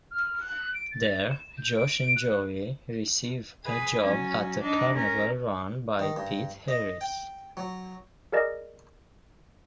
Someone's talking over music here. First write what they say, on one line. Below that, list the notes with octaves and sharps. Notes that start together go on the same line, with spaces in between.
There, Josh and Joey receive a job at a carnival run by Pete Harris.
F6
F#6
D7
A6
E7
G6
D7
F#6
G#4 B4
F#3 C#4
D4 D#4
C#4 A#4
D#3
G2
D#5
G5
F#3
G#4 A#4 D5 D#5